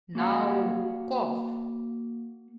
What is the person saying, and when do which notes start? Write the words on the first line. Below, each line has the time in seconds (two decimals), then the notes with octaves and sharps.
"Now cough."
0.15 A#3 F#4 F5 F#5